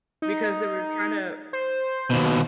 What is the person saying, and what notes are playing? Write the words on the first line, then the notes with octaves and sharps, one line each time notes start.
because they were tryna
D#4
C5
D#2 B2